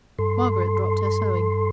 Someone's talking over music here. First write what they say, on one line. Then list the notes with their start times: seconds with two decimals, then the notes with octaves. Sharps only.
Margaret dropped her sewing.
0.19 G2 A4 C6